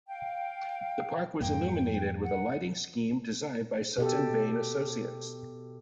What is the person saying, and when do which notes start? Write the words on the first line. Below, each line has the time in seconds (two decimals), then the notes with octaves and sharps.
The park was illuminated with a lighting scheme designed by Sutton Vane Associates.
0.08 F5 G5
1.41 F2 G#2 A#3 G5
2.23 F#5
3.98 B2 G4 A4